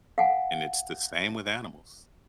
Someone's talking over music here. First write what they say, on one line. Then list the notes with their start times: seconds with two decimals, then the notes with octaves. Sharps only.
and it's the same with animals,
0.18 F5 F#5 G#5